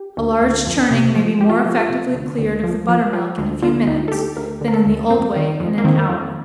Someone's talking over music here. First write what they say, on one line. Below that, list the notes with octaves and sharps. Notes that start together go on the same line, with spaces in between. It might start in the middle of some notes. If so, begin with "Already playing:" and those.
A large churning may be more effectually cleared of the butter-milk in a few minutes, than in the old way in an hour.
Already playing: G4
D2
D2
F2
C3
F3
F2 G4
F4
G4
F3
F4
C3
D2
D2
F3
F3
F3
D2
D3 F4
D2 D#4
A4
D2 G4
D2 A#4
D3
A#4
A4
D2
F2 C4
D#3
F2
A#3
D#3 C4
F2